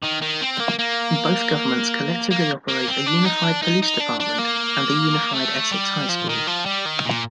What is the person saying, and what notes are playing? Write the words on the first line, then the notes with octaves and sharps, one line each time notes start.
Both governments collectively operate a unified police department and the unified Essex High School.
D#3
D#3
C4
A#3
A#3
A#3
A#3
C4
D4
D#4
D4
D#4
D#4
D4
D4
A#3
A3
G3
F3
D#3
F3
G3
D#3
A#2